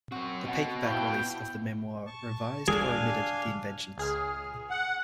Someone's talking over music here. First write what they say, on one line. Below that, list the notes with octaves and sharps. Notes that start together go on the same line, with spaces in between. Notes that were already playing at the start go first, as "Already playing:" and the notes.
The paperback release of the memoir revised or omitted the inventions.
C4 C#4 F#4
B2 D#5 F#5
E4 F4 B4 C5 F5 G5 A5
A5 C#6
D4 G#4 F5 G#5
C#2 G#4 F6
F#5